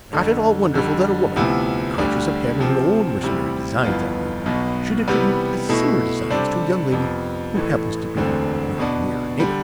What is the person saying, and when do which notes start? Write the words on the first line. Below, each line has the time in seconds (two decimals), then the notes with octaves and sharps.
It's not at all wonderful that a woman, conscious of having her own mercenary designs on you, should attribute similar designs to a young lady who happens to be your near neighbor.
0.13 F2 D3 A3
0.74 F2 D3 G3
1.36 D2 C3 F3 B3 E4
1.98 D2 D3 G3 D4
2.60 C3 F3 C4
3.21 D2 C3 G3 C4 E4
3.84 G1 F2 E3 B3 F4
4.46 B1 B2 B3
5.08 C3 E3 G3 B3
5.69 B2 A3 E4
6.30 C3 G3 D4 A4 C5
6.92 F2 C3 F3 B3
7.54 A1 A2 E3 A3
8.16 E1 D2 D3 A3 C4
8.78 B2 B3 D4
9.40 D3 G3